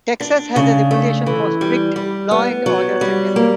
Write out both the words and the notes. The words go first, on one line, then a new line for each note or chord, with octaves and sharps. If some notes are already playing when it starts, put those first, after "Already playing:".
Texas has a reputation for strict "law and order" sentencing.
D4
C#3
A3
E3
G3
G3
B3
F#3
G3
A#3